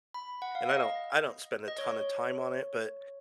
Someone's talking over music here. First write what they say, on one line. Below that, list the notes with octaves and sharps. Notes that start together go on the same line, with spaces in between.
and I don't I don't spend a ton of time on it, but
B5
F#5
F5
D#5
D#5
D#5
C#5